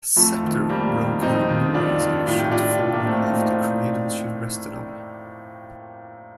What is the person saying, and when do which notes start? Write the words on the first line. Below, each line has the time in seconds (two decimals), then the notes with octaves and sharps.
"Sceptre" broke her moorings and shot forward off the cradle she rested on.
0.16 F2 F3 A3
0.43 D#3
0.69 F2 G3 A#3
0.96 D#3
1.22 F2 C4 D#4
1.49 D#3
1.74 F2 D4 F4
2.01 D#3
2.27 A2 F4
2.39 G4
2.51 D4 F4
2.79 A2 D4 F4
2.93 A#3 D4
3.06 A3 C4
3.19 A#3 D4
3.32 A2 C4 D#4